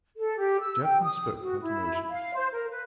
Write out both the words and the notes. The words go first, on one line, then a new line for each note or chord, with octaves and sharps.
Jackson spoke without emotion.
A4
G4
E6
G5
D#6
F#4
E4
F5
C5
A#4
B4